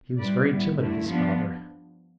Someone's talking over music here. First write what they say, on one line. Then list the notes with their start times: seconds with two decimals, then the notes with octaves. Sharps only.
He was very timid of his father.
0.19 G3 C4 E4 B4 D5
0.49 A2 G3 B3 E4
0.79 G2 D3 A3 E4
1.08 F3 B3 D4